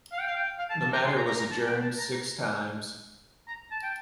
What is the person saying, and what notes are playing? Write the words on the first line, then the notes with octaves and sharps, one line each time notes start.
The matter was adjourned six times.
F5
G5
F5
G5
F5
A5
A5
A#5
C6
A#5
A#5
A#5
A5
G5
A5
A#5
A#5
A#5
A5
G5